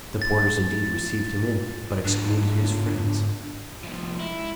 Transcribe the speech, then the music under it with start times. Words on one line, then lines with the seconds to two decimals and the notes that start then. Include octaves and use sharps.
The porters indeed received him in, but excluded his friends.
0.22 A6
2.04 G#2 D4 F4
3.84 C2 F3
4.20 G#3 E4